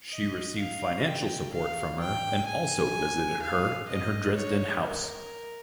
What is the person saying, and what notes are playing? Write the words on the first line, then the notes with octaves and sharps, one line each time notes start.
She received financial support from her and also visited her in her Dresden house.
D#5
F5
G5
F5
G5
G#5
F5
D#5
C#5
A#4